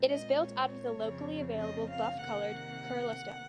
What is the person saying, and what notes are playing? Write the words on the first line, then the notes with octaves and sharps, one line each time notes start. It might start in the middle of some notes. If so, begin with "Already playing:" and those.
It is built out of the locally available buff coloured Kurla stone.
Already playing: A#2 G#3 C4
D#5
C#5
F2 C#3 F3 C4
D#5
F5
C3 D#3 A#3 F#5